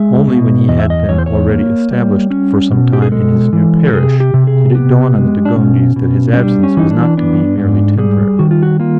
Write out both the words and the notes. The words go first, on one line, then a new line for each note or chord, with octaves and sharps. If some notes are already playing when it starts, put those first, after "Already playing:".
Only when he had been already established for some time in his new parish did it dawn on the de Gondis that his absence was not to be merely temporary.
Already playing: G#3 E5
B2
E2 D#5
E5
D#5
E2 C#5
C5
C#5
A#3
G3
C#4
B2
G4
G#4
G#3 A4
E3
A4
C3 G#4
G4
C3
G#4
B3 G4
G#3
D4
B2 C#4
B2
C#4
G3 D4
C#4
E3 D#4
D4
B3 D4
G#2
G3 G#4
D#3 F#4
F4
F#4
A#3 F4